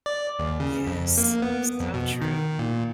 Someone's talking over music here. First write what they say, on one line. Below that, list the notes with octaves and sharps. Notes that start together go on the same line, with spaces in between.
Yes, so true.
D5
D#2
C#3
F2
A#3
B3
F2
B2
D#3
A#2